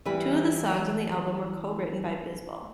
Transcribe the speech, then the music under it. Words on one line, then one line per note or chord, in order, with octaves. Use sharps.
Two of the songs on the album were co-written by Bisbal.
E3 G3 B4